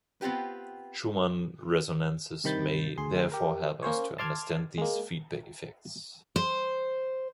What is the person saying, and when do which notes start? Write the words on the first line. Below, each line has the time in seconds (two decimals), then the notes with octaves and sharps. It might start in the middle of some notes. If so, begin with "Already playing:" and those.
Schumann resonances may therefore help us to understand these feedback effects.
0.21 B3 C4 F4 G4 B4
2.44 G2 C3 D#3 B5 G6 A6
2.98 D2 G#4 C6
3.32 G4 A#4
3.82 A#3 C#4 C5 C#5
4.18 A5 C6 D6 F6 G#6
4.78 G#3 A#3
6.36 C5